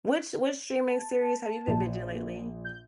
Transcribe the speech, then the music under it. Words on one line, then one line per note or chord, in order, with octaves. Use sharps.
which which streaming series have you been binging lately?
A5
A#1
A#3
G6